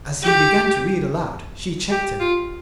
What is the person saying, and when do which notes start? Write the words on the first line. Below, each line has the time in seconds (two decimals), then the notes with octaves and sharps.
As he began to read aloud she checked him.
0.23 G4
1.91 G4
2.20 F4